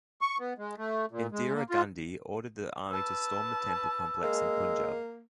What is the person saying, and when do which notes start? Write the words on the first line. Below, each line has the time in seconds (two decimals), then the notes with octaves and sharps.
Indira Gandhi ordered the army to storm the temple complex in Punjab.
0.21 C#6
0.39 B3
0.58 G#3
0.78 A3
1.11 A#2
1.32 G#3
1.54 A#3
1.70 F4
2.90 B4 A5 E6
4.23 G#3 A#3